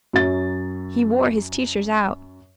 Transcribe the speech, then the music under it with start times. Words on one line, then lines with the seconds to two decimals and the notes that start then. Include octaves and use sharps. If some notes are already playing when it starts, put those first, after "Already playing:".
He wore his teachers out.
0.13 F#2 F#3 A6